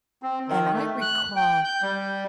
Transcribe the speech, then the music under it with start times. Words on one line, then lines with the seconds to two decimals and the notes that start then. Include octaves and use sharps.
and I recall
0.23 C4
0.49 D#3
0.73 A3
1.01 F#6
1.36 G5
1.64 G6
1.82 G3